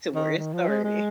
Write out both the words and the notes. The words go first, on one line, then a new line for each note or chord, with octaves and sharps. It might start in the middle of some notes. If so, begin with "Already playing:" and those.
to where it started.
D#3
D#3
F3
G#3
G#3